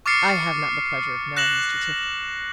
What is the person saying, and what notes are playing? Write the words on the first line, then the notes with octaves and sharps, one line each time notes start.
"I have not the pleasure of knowing Mr. Tifto."
C#6 D6 F6 A6 C7 C#7
F#6 A#6 E7 F#7